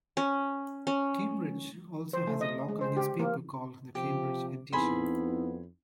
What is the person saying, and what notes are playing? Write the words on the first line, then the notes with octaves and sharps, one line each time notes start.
Cambridge also has a local newspaper called the Cambridge Edition.
C#4
C#4
C5
A3
D#5
G#3
C5
G4
A#3
C3 F3 G4
F2 B3 C4 D#4 E4 G#4 B5 C6